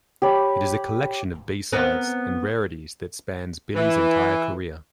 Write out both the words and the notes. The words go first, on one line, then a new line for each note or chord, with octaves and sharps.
It is a collection of B-sides and rarities that spans Billy's entire career.
G4 C#5 B5
B3 C4 A#4
E3